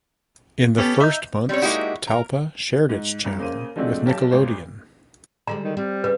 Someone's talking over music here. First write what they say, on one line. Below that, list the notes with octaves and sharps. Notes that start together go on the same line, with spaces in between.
In the first months Talpa shared its channel with Nickelodeon.
B3 C#4 G4 A4
D#4 E5 G6
G3 C4 C#4 C#5
G#3 A#3 D#4 E4 F#4 G4
A#4 A#5
G#2
C2 G2
C#3 A#3 C5 D#7
F3 G#3 A3 C4 D4 F#4
B1 G4 A5
G#1 C#2 C5
D3 G3 G#3 A#5
D#3
G3 C4
C#3 B4